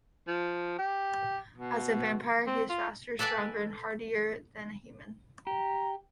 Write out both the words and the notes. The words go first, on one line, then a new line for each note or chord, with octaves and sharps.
As a vampire, he is faster, stronger, and hardier than a human.
F3
G4
B2
C4
F4
A4 B4 D5 F#5 G#5
G4 A#5